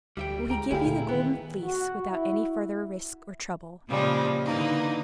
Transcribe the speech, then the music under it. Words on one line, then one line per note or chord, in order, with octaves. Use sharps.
"Will he give you the Golden Fleece, without any further risk or trouble?"
D2 G3 E5 G5
G#3 G5 A#5
D3 A3 E4 F4 G#4 F5 G5
A#2
D#3 B3 B4
F#4
E4
A#2 C#3 F3 G3 G#3
D3 E3 A#3 D#4